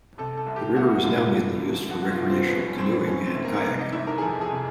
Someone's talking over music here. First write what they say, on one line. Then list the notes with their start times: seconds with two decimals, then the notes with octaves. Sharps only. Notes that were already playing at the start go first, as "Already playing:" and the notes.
The river is now mainly used for recreational canoeing, and kayaking.
0.18 C3 A4
0.37 A4
0.47 C2
0.56 G4
0.76 C2 F#4
1.04 C3 F4
1.34 D2
1.63 E1
1.91 F3 F#4
2.03 F#4
2.11 F4
2.20 D2
2.30 C4
2.48 E1 B3
2.68 C#4
2.78 E1 C4
3.07 E1 C#4
3.26 C4
3.35 D2
3.44 A#3
3.57 A#3
3.64 C3 B3
3.79 D#4
3.92 G1 E4
4.07 A#4
4.18 G#4
4.21 F2 A4
4.41 G#4
4.51 C3